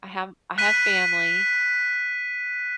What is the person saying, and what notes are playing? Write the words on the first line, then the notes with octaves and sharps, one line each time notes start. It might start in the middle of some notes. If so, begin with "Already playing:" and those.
I have I have family,
F#6 B6 D#7